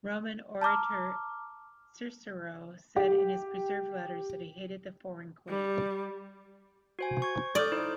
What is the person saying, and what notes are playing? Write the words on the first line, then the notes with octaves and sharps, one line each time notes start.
Roman orator Cicero said in his preserved letters that he hated the foreign queen.
A5 A#5 D6 F6
G4
G3
F#4 C5 G#5
C5 C#6 G#6
D5 D#6 F6 G6
D#4 E4 C5